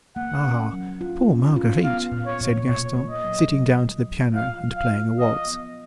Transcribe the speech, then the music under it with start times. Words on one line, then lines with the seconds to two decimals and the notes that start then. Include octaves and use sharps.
"Ah, poor Marguerite!" said Gaston, sitting down to the piano and playing a waltz.
0.16 A#3 F#5
0.45 C#4
0.73 F#3
1.01 F4
1.28 C#4
1.56 F4
1.84 B3 F5
2.12 A#2
2.26 C#5
2.40 A#2
2.68 B2 C#5
2.96 A#3
3.10 D#5
3.24 F#3
3.52 F#3
3.80 F#3
4.08 F#3
4.35 F4 F5
4.64 F#3
4.77 F5
4.92 F4
5.19 F3 D#5
5.47 B3